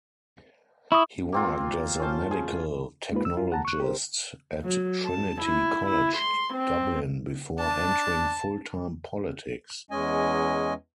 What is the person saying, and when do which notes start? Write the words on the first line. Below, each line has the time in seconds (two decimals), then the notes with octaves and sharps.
He worked as a Medical Technologist at Trinity College, Dublin before entering full-time politics.
0.92 E4 C#6 D#6
1.32 A#3 C4 F4
1.99 C#4 F4 C5 A5
2.31 G#4
3.12 G#3 A#3 D#4 F4 B4
3.25 E6
3.37 F4
3.52 F#5 A5 A#5
3.65 C#6 F#6
3.80 G4 A#4 C5
4.64 F#3
5.05 A5
5.41 E4
5.86 E4
6.17 C6
6.53 C4
7.59 D4 A5
9.91 E2 G#3 C#4 D#5 G#5